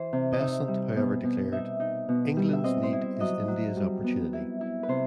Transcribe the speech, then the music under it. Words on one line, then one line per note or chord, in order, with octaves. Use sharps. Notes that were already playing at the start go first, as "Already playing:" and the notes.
Besant however declared, "England's need is India's opportunity".
Already playing: E3 C5
C3
D#5
D#4 E5
G3
B2
B2
D#4 E5
D#4
B2
G3
E5
C4 D#5
C5
E4
E5
F#3 D#5
F#3
G3
B3
E4
E4
B4
C3 C5